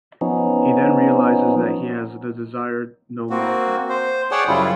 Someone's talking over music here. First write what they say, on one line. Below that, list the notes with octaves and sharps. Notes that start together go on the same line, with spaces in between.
He then realizes that he has the desire no longer.
F3 B3 C#4 D#4
A#3 C4 F#4
C5
G#4 C#5 D5 F#5 G5 A5
F#2 C#3 G3 E4 F4